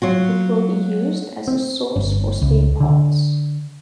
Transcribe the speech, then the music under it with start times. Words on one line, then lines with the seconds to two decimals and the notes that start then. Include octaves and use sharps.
It will be used as a source for spare parts.
0.02 F#3 F4 F#4
1.48 C4
1.96 G1
2.42 C#2
2.80 D3